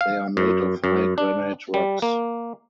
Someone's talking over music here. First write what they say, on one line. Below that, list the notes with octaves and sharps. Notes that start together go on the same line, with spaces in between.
They are made of high granite rocks.
F5
F#2
F#2
D4
G3
A#3